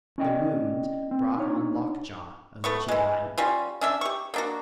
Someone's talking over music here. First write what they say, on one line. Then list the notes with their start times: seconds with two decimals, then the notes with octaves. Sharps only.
The wound brought on lockjaw, of which he died.
0.18 C#4 E4 D5 D#5 F#5 G5
1.11 C4
1.37 D4 D#4 C#5
2.64 A3 B3 C#6
2.88 E3 G#3
3.38 G3 C#4 F4
3.81 C#4 D4 E5
4.01 G4 C#6
4.34 A#3 D4 F#4